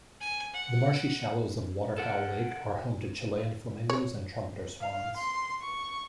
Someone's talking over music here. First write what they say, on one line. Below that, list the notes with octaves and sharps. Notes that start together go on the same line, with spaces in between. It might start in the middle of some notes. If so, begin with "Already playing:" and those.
The marshy shallows of Waterfowl Lake are home to Chilean flamingos and trumpeter swans.
G#5
F#5
A4 A#4 F#5
C#5
F5
C6
C#6